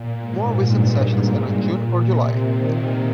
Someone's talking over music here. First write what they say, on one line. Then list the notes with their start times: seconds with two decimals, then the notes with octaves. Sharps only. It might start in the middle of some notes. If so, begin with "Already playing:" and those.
More recent sessions ended in June or July.
Already playing: A#2
0.19 G#2
0.64 G2
1.09 G#2
1.54 A#2
2.00 C3
2.44 D#3